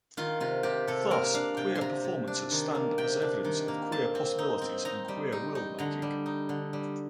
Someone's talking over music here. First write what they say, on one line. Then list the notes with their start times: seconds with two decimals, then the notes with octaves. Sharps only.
Thus, queer performances stand as evidence of queer possibilities and queer worldmaking.
0.17 D#3 F4
0.40 C3 F4
0.63 C3 G4
0.87 C3 A4
1.11 A#3 A#4
1.34 D4 F5
1.57 C3 G5
1.75 C6
1.81 C3 A#5
2.04 C3
2.27 D4
2.51 D#3
2.75 A#3
2.98 C3 G5
3.22 D4
3.44 D#3
3.68 A#3
3.92 C4 A5
4.15 C4
4.38 D#4
4.62 C4
4.85 D#4 A#5
5.08 G3
5.32 D#4
5.55 D#4
5.78 D3 A#5
6.02 G3
6.26 D#4
6.49 D3
6.73 G3